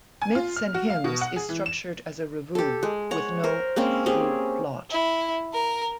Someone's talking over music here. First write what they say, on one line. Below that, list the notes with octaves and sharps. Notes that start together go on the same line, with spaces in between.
"Myths and Hymns" is structured as a revue, with no through plot.
G#5
F4
F6
F#4
F5
B2
F#5
G#4
E3
E7
G4 A4
G#3
C#5 F#5
A#4 C5
G#3 A#3 C4 C#4
C4 C#4 G4 G#4
E4
A#4